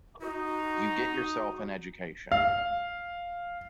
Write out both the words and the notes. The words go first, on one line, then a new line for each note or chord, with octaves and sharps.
You get yourself an education.
D#4 F#4
F5